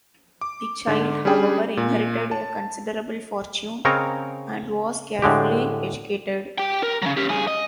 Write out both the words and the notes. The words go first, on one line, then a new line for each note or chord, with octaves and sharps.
The child, however, inherited a considerable fortune, and was carefully educated.
D6
G#2 D3
G3 C#4 D4 G#4 G5
A#2
A5
C#3 C4 A#4 C#5 D#5 A#5
A2 D3 G#3 G4
G4 G5
A#4
C#3 F#3
C#4 G4
G2 G#4
D#5